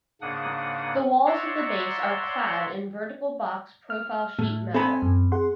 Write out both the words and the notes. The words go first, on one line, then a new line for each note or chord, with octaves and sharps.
The walls of the base are clad in vertical box profile sheet metal.
G#2 C#3 A#3 D4 F#5 D#6
C#5 D5 E5 F#5 A#5 C6
F6
A2 A3
C4 A4 G#5 B5
F#2
G#4 F#5 C6